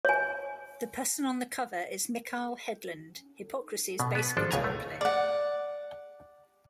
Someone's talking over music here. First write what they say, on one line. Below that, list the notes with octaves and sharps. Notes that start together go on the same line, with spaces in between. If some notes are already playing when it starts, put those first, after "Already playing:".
The person on the cover is Mikael Hedlund, Hypocrisy's bass guitar player.
C#5 G#5
B2
B3 B4
G#1 F3 D4 A4
C#2 B2 G#5 A#5
A3
D5 F#5